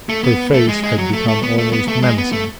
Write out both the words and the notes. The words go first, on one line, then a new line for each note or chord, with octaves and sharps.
Her face had become almost menacing.
A3
B3
A3
G#3
G#3
F#3
A3
A3
B3
A3
B3
A3
G#3
B3
A3